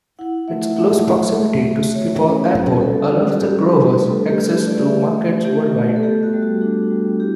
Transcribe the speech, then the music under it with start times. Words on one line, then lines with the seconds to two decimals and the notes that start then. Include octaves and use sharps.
Its close proximity to Schiphol Airport allows the growers access to markets worldwide.
0.19 E4 F#5
0.48 A3 E5
0.77 A3 E5
1.07 A3
1.36 A3
1.65 A3
1.93 A3 C#5
2.24 C#4
2.52 G3 B4
2.81 G3 A4
3.11 F#4
3.40 G3 G4
3.69 D4 B4
3.89 B4
3.98 A3
4.09 A4
4.28 A3 G4
4.48 G4
4.57 A3
4.66 D5
4.86 A3 E5
5.16 A3
5.45 A3 G4
5.73 A3
5.96 A4
6.03 B3 G4
6.23 F#4
6.33 G3
6.42 F#4
6.61 D4 G4
6.91 G3
7.20 E4 G4